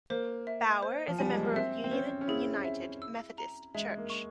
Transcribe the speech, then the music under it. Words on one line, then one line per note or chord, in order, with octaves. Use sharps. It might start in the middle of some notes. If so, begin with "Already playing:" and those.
Bauer is a member of Union United Methodist Church.
A#3 C5
E5
C5
F3
G3 G#5
G#3
A#3
C4 E5
C4
C#4 C5
C#4
E4 G#4
E5
E6
A#5
G#3 E5
A#3
C#6